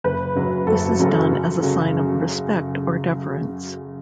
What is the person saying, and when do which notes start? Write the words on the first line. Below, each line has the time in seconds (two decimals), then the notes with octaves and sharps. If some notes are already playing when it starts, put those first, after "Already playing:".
This is done as a sign of respect or deference.
0.04 F#1 B4
0.35 F#2 C#3 F#3
0.67 F#1 A4
0.99 F#2 C#3 F#3
1.31 F#2
1.62 C#3 F#3